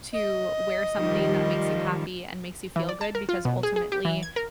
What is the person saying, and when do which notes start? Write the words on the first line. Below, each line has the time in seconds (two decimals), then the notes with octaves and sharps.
to wear something that makes you happy and makes you feel good because ultimately
0.13 D#5
0.96 D#3 F3 G3
2.76 E3
2.89 D5
3.01 A5
3.15 A#4
3.29 F4
3.45 B2
3.63 G#4
3.76 G#4
3.92 G4
4.05 E3
4.23 G#6
4.36 A#4